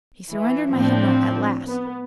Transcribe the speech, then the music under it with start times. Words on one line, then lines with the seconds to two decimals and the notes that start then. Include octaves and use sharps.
He surrendered my hymnal at last.
0.29 E3
0.73 A2 F3 C4 D4
1.66 B3